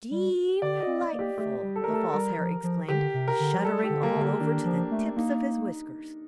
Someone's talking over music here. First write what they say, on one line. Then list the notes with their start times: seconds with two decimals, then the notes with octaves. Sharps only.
"Dee-lightful!" the False Hare exclaimed, shuddering all over to the tips of his whiskers.
0.11 G3
0.62 D3 D5
0.80 D#5
0.87 C4
1.00 D5
1.12 A#3
1.19 G4
1.37 A3 G4
1.63 G3
1.76 A4
1.84 A#4
1.88 A3
1.94 A4
2.13 G3 A#4
2.39 F3
2.63 F3
2.89 D3 G4
3.14 C3
3.28 A#4
3.40 D3
3.54 F3
3.64 G3 A4
3.84 G4
3.90 D3
4.03 A#3
4.16 D3
4.22 A#3
4.40 D#3 D4
4.65 F3
4.91 A3
5.16 A#3 D#4